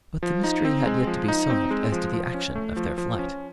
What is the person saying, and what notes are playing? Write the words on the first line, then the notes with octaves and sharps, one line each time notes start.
But the mystery had yet to be solved as to the action of their flight.
F3
D#4
C4
G#3
F3
D#4
C4
G#3
F3
F3
C#4
A3
F3
F3
C#4